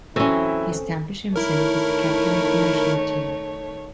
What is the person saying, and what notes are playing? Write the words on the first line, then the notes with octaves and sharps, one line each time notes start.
He established himself as the captain of the national team.
E3 F#3 C4 C#4 E4 A4
D#3 A3 E4 A#4 C#5